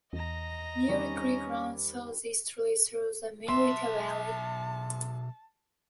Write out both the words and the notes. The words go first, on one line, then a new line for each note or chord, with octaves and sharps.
Murrieta Creek runs southeasterly through the Murrieta Valley.
E2 D#5 A#5
D#3 G3 C4 C#4
B1 E5 A5 C6